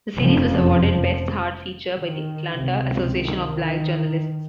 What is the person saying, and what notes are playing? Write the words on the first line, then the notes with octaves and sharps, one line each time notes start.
The series was awarded Best Hard Feature by the Atlanta Association of Black Journalists.
F1 F2 C#3 F3
D#3
C#2 C3
D#3